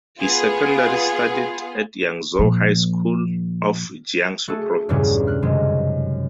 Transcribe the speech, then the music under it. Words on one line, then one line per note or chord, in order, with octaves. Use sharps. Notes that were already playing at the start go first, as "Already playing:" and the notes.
He secondary studied at Yangzhou High School of Jiangsu Province.
B3 F4 G#4
A#2 F3
A3 F#4 G#4 A4
E2 G2 A#2 C#3 G3 C#4
F6 F#6
F#2 C3 D#3 F#3 G#3